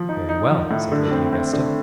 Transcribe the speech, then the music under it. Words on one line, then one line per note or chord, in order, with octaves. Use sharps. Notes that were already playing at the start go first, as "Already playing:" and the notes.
"Very well," said Lady Augusta.
Already playing: F3
D#4
D#4
F3
A2
D3
C4
C4
D3